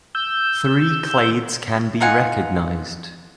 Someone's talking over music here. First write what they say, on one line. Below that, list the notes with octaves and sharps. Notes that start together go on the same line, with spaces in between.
Three clades can be recognized.
E6 G6
D#4 F4 F#5 G#5